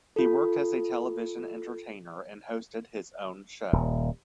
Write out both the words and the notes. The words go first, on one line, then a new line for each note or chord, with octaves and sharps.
He worked as a television entertainer and hosted his own show.
F4 A4
D#1